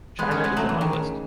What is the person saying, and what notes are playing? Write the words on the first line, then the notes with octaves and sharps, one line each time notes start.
China is in my list.
G#3 B3
A3 C#4
G#3 B3
F#3 A3
E3
D#3
C#3